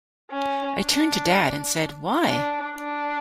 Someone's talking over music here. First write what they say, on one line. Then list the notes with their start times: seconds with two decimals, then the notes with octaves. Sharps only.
I turned to Dad and said why?
0.31 C#4
0.80 D4
2.28 D4
2.77 D4